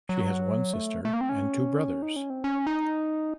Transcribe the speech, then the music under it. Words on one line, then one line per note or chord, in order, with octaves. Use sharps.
She has one sister and two brothers.
F#3
A3
A3
A#3
C4
C#4
D#4
C#4
C4
C#4
D#4